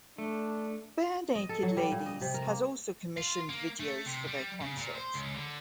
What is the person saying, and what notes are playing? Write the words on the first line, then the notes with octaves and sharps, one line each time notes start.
Barenaked Ladies has also commissioned videos for their concerts.
A3 D4
D#5
A4
F#3
G3
A#2
D#5
C3
A#4
A#3
F4
A#3
A3
C3
G3
C#3
A#2
C5
C#2
D3